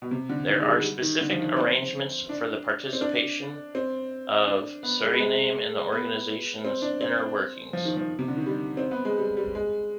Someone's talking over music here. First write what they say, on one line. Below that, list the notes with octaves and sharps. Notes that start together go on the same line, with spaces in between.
There are specific arrangements for the participation of Suriname in the organisation's inner workings.
B2
C3
D3
D#3
G#3
G3
G3
D#3
D3
F3
D#3
C4
D4
C4
D4
C4
D4
B3
G#3
B3
G#3
B3
C4
D4
C4
F3
D#3
F3
C3
D3
D#3
G3
C4
B3
G#3
G3
G3
G#3